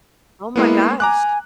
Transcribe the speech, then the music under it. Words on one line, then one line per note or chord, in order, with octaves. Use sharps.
Oh my gosh.
G#3 A#3 B3 E4
G#5 A#5 D6 F#6